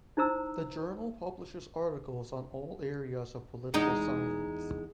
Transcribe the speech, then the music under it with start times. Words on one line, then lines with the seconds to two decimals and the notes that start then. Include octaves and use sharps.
The journal publishes articles on all areas of political science.
0.17 D#4 E4 C5 A#5 E6
3.74 E2 G#3 D#4